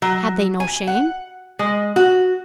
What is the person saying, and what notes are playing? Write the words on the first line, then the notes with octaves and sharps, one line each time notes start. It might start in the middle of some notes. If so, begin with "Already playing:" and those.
Had they no shame?
F#3
G#5
F#5
G#3
F#4